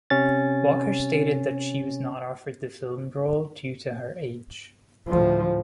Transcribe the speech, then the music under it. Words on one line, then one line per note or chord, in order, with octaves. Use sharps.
Walker stated that she was not offered the film role due to her age.
C3 C#4 A6
D2 A2 F3